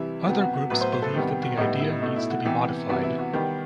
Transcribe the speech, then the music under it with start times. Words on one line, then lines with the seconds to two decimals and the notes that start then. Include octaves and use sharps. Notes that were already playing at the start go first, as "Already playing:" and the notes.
Other groups believe that the idea needs to be modified.
Already playing: C3 E3 G3 E4
0.26 C3 F#3 B3 G4
0.41 F#4
0.55 F#4
0.70 A2 F#3 B3 B4
0.81 C5
0.92 C5
1.02 A4
1.14 C3 D#3 G3 B3 G4
1.28 G4
1.43 F#4
1.57 A2 G3 B3 D#4
1.80 E4
2.02 B2 A3 D#4
2.16 E4
2.30 F#4
2.45 C3 E3 B3 G4
2.89 C3 E3 B3 F#4
3.03 E4
3.18 F#4
3.33 D#3 G3 B3 G4